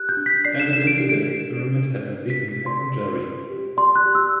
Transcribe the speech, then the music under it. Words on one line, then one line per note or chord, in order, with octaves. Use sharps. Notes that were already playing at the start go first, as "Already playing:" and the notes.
Evidently that experiment had a big impact on Jerry.
Already playing: G4 F#6
G6
D4
B6
D5 C7
E7
D4 E7
D7
G4 C7
D7
D4
D5
D4
B4
B6
G4
B6
D5 C6
G4
B4
G4
D5 C6
F#6
G4
E6